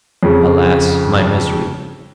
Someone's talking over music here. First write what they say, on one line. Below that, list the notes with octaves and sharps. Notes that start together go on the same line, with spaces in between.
'Alas! my misery!
F2 C#3